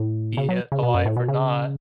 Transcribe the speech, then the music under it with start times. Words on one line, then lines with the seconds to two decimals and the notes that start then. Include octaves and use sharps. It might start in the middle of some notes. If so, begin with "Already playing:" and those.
be it alive or not,
Already playing: A2
0.37 C#3
0.49 F#3
0.72 C#3
0.83 B2
0.94 F#2
1.06 A2
1.17 B2
1.28 C#3